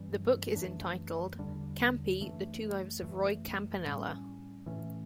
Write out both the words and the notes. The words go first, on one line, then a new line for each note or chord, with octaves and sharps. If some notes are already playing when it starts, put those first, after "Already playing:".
The book is entitled "Campy - The Two Lives of Roy Campanella".
Already playing: G2 E3 G3 C#4
F#2 E3 A3 D4
E2 D3 G3 D4
F#2 E3 A3 D4
F#2 E3 A3
A2 G3 C#4
A2 E3 A3 C#4